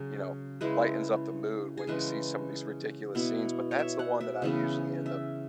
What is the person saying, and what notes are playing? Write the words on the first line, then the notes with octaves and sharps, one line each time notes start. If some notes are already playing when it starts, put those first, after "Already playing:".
you know, lightens up the mood when you see some of these ridiculous scenes, but that's the one that I usually end up
Already playing: C#3 F#3 C#4
C#3 G#3 E4 B4
G#4
C#3 E3 G#3 B4
B2 B3 E4
C#5
E5
F#5
E5
C#3 E3 B3
E5